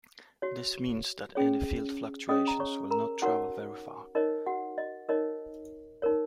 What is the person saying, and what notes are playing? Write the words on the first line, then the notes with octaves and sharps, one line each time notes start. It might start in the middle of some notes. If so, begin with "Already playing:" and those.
This means that any field fluctuations will not travel very far.
F#4 C#5
C#4 G#4 C#5
C#4 G#4 C#5 D#5 D#6
A#5
C#5 C#6
A#4 A#5
D#4 F#4 A#4 C#5 F#5
D#4 A#4 C#5 D#5
F#4 F#5
D#5
D#4 A#4 C#5 D#5
D#4 A#4 C#5